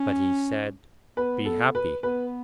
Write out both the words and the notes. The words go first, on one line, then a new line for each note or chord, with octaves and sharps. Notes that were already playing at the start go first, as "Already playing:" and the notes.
But he said: 'Be happy!
Already playing: C#4
B3 B4
A4
B4
B3 B4